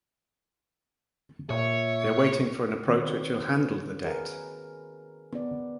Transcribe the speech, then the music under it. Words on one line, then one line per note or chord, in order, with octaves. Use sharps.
They are waiting for an approach which will handle the debt.
A#2 C#5 E5
D#3 C4 F#4 B4 C#5
G#4 A#4 B4
B3 D5